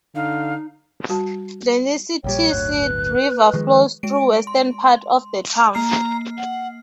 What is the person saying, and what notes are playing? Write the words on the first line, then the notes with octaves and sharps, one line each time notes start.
The Nissitissit River flows through the western part of the town.
D3 D#4 F5
G3 F#4 A5
A#1 A#2 G3 C#5 G5
D1 G1 D2 F#6
B4
D#3 F3 G#3
G#3 D7
C6
A#3 A#5 F6 C7
F#5